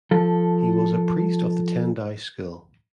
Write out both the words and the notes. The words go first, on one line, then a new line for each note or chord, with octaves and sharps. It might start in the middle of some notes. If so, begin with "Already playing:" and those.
He was a priest of the Tendai school.
F3 A4